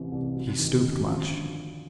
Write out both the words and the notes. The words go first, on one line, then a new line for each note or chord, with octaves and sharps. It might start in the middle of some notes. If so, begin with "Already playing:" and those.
He stooped much.
Already playing: A1 C3 E3
C2
F#3
D#3
F#2
F3
D3